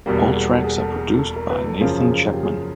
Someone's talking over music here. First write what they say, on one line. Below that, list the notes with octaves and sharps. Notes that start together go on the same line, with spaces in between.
All tracks are produced by Nathan Chapman.
E2 B2 G3 A#3 G4
G#4
G#4
A4
G#4
A4
G#4
A4
A#4
B4
A4
F#2 C#3 F3 A#3 G#4
G#4
G#4
G4
G#4